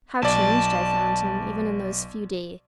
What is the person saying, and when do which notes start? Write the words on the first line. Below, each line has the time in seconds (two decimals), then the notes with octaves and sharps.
How changed I found him, even in those few days!
0.23 B1 D5 A5